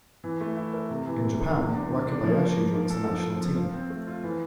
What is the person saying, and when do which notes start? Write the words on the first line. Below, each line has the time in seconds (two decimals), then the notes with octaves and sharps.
In Japan, Wakabayashi joins the national team.
0.24 E3
0.41 A3
0.57 E4
0.74 A#4
0.90 C3
1.07 E3
1.24 C3
1.41 C2
1.57 E2
1.73 D4
1.91 D4
2.07 D4
2.24 F3
2.41 A#3
2.57 A#3
2.74 A#3
2.90 A4
3.07 F3
3.24 A4
3.41 F3
3.57 F4
3.74 C4
3.90 A3
4.07 F4
4.24 E3